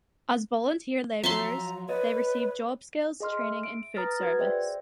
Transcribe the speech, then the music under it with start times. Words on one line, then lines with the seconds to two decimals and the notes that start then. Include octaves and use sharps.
As volunteer laborers, they receive job skills training in food service.
1.24 F3 F#3 E5 A5 A#5 C6
1.89 B4 C#5 D#5
3.20 G#4 D#5 C6 F6
3.41 E5
3.63 D7
3.96 B4 A#5 D#6 F6 A6 A#6
4.20 F#4 B4 G#6
4.39 G#4 C5 D5 E5 G5